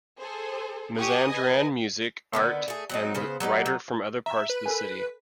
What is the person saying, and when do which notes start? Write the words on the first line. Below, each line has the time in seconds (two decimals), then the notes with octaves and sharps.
Mazandaran music, art and writer from other parts of the city.
0.20 G#4 A4 C5
0.97 G4 G#4 C#6 D#6
1.28 B4 D#5 G#5
2.33 D3 D#3 B3
2.68 A3 G#4
2.90 F#3 C4 D#4
3.15 C#3 B3 C5
3.40 F#3 G3 B3 D#4
3.66 D3 F#3
4.26 E5 A#5
4.50 B4
4.66 A4 A#4 G#5